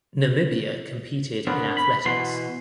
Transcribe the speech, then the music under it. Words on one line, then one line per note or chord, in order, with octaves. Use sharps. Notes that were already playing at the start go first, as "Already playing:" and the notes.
Namibia competed in athletics.
B3 C4 D4 A#4 C5
B5
B2 E3 F#4 C6